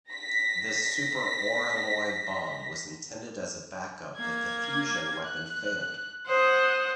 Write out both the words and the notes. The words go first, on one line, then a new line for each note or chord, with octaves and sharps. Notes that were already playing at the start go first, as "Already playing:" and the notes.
This "Super Oralloy Bomb" was intended as a backup if the fusion weapon failed.
A#6 B6
A#3 G#6
F#6
C5 F#5 D#6